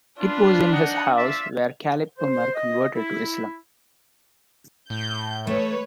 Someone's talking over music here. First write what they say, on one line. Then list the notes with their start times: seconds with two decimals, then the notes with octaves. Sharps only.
It was in his house where Caliph Umar converted to Islam.
0.20 D4 F4 B4
0.72 D#4 F#5
1.17 F4 D5 E5
2.19 C5
2.55 D#5
2.94 E4
4.90 A2 G6
5.47 A3 B4 C#5